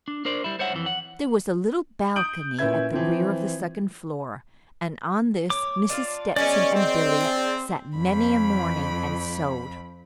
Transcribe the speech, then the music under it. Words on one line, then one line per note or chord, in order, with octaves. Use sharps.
There was a little balcony at the rear of the second floor, and on this Mrs. Stetson and Billy sat many a morning and sewed.
D4
D4 A#4 C5 D5
G3 E4
C5 C#5 E5 F#5
F2 E3
F#5
D#6 G6 D7 F#7
A#2 C#4 E4 B4 E5 G#6
E3 F3 C4
C#5 D6
D4 F4 F5
F#3 G#3 B3 C#4 D5
C4
D4 G#4 E5
F2 B5